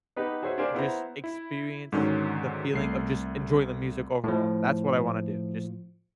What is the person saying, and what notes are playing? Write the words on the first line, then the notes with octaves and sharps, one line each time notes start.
just experience the feeling of just enjoy the music overall, that's what I wanna do, just
B3 D#4 G4 B4
F#4 G#4 C5 C#5 E5 G#5
D4 G4 A#4 C5 F5 G#5
B3 E4 C5 A#5
E4
G#2 D3 D#3 F#3 C#4
C2 A3 C7
A2 F3